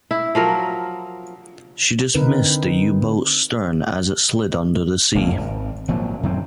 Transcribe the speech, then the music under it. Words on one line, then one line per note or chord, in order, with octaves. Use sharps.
She just missed the U-boat's stern as it slid under the sea.
E4
F3 F#3 A#4
D3 C4 D#4 A#4 B4
E1 C#2 A#3
G#1
G#1 A#2 F3 F#3
F#2 D#3 F#3 C4